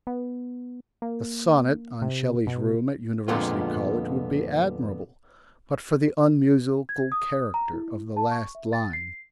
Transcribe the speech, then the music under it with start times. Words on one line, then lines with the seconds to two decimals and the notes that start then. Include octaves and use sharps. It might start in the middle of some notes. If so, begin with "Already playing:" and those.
The sonnet on Shelley's room at University College would be admirable but for the unmusical character of the last line.
0.07 B3
1.02 A#3
2.02 C3
2.47 B2
3.28 F2 A#2 D3 G#3 B3 F4
6.89 G#6
7.12 D#6
7.54 A#5
7.73 E4
8.17 A5
8.31 C#6
8.55 E5
8.73 A6
8.93 C7